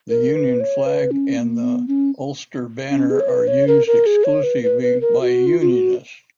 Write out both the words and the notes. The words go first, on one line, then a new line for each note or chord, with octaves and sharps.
The Union Flag and the Ulster Banner are used exclusively by unionists.
A#4
B4
C#5
B4
C#4
B3
A#3
B3
C#4
C#4
G#4
C#5
B4
C#5
A#4
A#4
G#4
C#5
B4
B4
B4
A#4
F#4
F4
F4
F#4